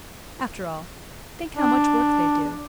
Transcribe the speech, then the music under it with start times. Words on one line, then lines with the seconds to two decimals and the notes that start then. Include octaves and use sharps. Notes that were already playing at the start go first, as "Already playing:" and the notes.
After all, think how much work they do.
1.56 D4